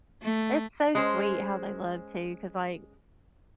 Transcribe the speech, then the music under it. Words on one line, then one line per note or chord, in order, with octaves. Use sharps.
It's so sweet how they love too, 'cause, like,
A3
G#3 C#4 C5